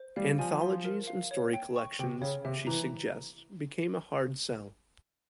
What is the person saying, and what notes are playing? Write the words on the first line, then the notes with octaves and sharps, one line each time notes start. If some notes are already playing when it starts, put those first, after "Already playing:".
Anthologies and story collections, she suggests, became "a hard sell".
Already playing: C5
G3 F5
F3 G#5
C6
A#4
F5
C#5
G5
C#6
C3 G5
C#3 C#5
C3 E5
E3 A#5